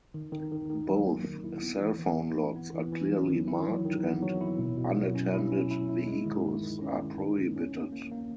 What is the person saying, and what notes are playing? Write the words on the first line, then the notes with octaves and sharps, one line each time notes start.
Both cell phone lots are clearly marked and unattended vehicles are prohibited.
D#3
D#3
D#3
D#3
F#3
A#3
D#3
E4
B3
E3
E3
B3
B3
B3
E3
E3
F#3
D#3
E4
F#3
D#3
B3
F#3
E4
B2
B2
F#3
C#4
E4
C#4
E4
E4
G#3
D#3
D#3
D#3
C#4
D#3
D#3
D#3
C#4
A#3
A#3
A#3